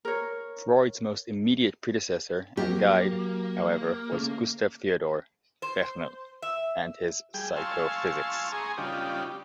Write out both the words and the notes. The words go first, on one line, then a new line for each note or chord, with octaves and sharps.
Freud's most immediate predecessor and guide however was Gustav Theodor Fechner and his psychophysics.
A#4 C#5
F#3 A#3 G4
C#3 A3
C5
E5
G3 G#4 G5
F5 G#5 A5 C6 C#6 E6
G#4 G#5 A#5 C6 C#6 D#6
C#3 G3 D4 D#4 F4 G4